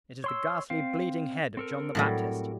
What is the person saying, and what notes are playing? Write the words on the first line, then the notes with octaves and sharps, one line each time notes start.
It is the ghastly, bleeding head of John the Baptist!
C#5 C6 E6
C4 F5
C4 A4 A#4
A2 F#3 G3